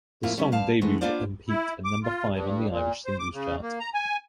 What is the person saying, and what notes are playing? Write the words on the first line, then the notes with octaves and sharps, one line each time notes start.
The song debuted and peaked at number five on the Irish Singles Chart.
F2 A2 A#3 E4 F4
G3 B3 C#4 E4
G2 F5 A5
D#3 E3 G#3 A3 B3
A#3 B3 D4 F4 C5 D5
E4
D6
F4
G2
A#2
C5
D6
C#3
A#3
A#5
G#5